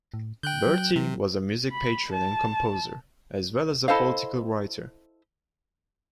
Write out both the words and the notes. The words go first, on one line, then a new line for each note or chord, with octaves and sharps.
Bertie was a music patron and composer, as well as a political writer.
A2
D3 G5 F#6 G6
F#3
C3
B5
A5
E4 A4 C5 D#5 F5